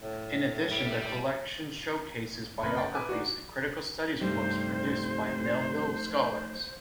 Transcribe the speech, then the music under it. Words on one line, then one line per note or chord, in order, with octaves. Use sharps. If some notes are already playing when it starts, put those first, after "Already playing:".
In addition, the collection showcases biographies and critical studies works produced by Melville scholars.
A2
G3
F#1 F2 A#4 B4 B5
F#5 G5 A6
B4 E5 G#5 D6
D4 D#4 F#4
G2 C3 F3 G3 A3 D#4 C5